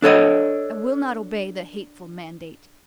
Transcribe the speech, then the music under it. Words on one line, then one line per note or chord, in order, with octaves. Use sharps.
I will not obey the hateful mandate!
D4 A4 C#5 D#5